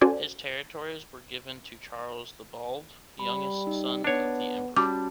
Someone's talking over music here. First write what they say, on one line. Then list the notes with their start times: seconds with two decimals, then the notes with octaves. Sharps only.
His territories were given to Charles the Bald, youngest son of the Emperor.
0.01 C#4 F#4 A4 C5 D5 G#5
3.19 G3 B5
3.67 D#4
4.04 B3 D4 C#5 A5
4.76 G3 C#4 F#4 A5 D6